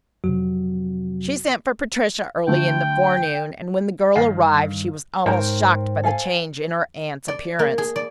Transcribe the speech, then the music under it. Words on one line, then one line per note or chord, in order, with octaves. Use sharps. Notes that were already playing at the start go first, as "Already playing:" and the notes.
She sent for Patricia early in the forenoon, and when the girl arrived she was almost shocked by the change in her aunt's appearance.
F2 C3 F#3 F#4
D3 F#3 A3 G5
G2 D#3 F5
G#2 A#4 C5 C#5 G5 A#5
A4 F5 G#5
D5
A#3
G#4
D5